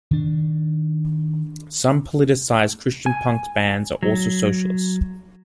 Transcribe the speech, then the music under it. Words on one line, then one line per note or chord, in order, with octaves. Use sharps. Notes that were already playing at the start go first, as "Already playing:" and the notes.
Some politicized Christian punk bands are also socialists.
D#3 D4
G#5
F#3